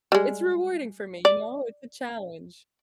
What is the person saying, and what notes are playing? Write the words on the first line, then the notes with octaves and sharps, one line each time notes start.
it's rewarding for me you know, it's a challenge.
G3 G#3
D5